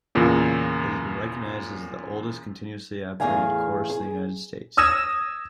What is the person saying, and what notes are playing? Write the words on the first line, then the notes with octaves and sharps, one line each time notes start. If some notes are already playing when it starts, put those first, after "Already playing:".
It has been recognized as the oldest continuously operated course in the United States.
E2 A#2 C#3
E2 A2 F#3 G#4 F5 G#5
G#4
D#6 E6 G#6 A#6 E7